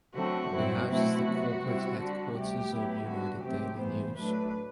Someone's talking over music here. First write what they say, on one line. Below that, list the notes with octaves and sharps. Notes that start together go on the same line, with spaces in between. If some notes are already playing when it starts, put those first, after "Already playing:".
It houses the corporate headquarters of United Daily News.
D3 F#3 A3 C4 F#4
G2 F#3 C4 E4
B2 F#3 A3 C4 E4 F#4
C3 F#3 B3
C3 G3 C4 E4
D3 G3 D4
D2 C3 G3 G4
A2 F#3 B3 E4
D3 G3 B3 F#4
C3 F#3 A3 C4 G4
G2 E3 B3 C5
A2 F#3 A3 D4 B4